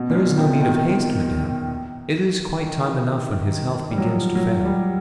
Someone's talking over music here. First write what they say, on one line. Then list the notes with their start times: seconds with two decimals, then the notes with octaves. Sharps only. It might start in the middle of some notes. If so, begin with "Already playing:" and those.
'There is no need of haste, Madame; it is quite time enough when his health begins to fail.'
Already playing: B2
0.10 A#2
0.16 B2
0.38 C3
0.60 D#3
2.59 D#3
2.87 E3
3.17 D#3
3.47 D#3
3.90 G3
3.98 F#3
4.05 F3
4.35 F#3
4.64 G3